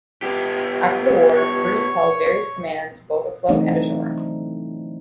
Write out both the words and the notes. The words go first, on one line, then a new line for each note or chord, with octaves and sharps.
After the war, Breese held various commands both afloat and ashore.
B3 G4
C#5
E3 F#3 A3 C4 D4 D#4